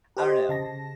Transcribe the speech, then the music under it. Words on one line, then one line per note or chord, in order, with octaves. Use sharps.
I don't know.
G4 C5 D#5
C#3 A5 A#6